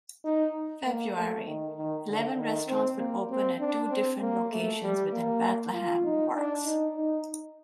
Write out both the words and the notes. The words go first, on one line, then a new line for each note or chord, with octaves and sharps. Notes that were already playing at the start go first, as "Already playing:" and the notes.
February - Eleven restaurants will open at two different locations within Bethlehem Works.
D#4
A#3
A3
D#3
D#3
D3
D#3
C4
A#3
C4
D4
C4
A#3
A3
G3
A#3
F4
D#4
D4
D#4
D#4